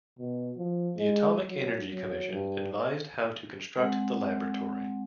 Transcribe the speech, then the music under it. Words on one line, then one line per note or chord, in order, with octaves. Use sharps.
The Atomic Energy Commission advised how to construct the laboratory.
B2
F3
G#3
F#3
F#3
G2
G#3 C4 F#5